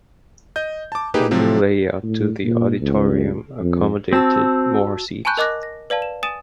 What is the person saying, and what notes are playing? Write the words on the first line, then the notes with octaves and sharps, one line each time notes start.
A new layout to the auditorium accommodated more seats.
D#5 G6
A5 D6
A#3 D#4 G4 G#4 B4
C3 F3 F#3 C4
A2
A#2
C#2
F2
C4 F#4 A5 E6
G#5 A5 B5 C#6 F#6 G6
A#4 D#5 D6 F#6 A#6
A#6
B4 D5 F5 A5
E7
G#5 D#6 A6 D#7 E7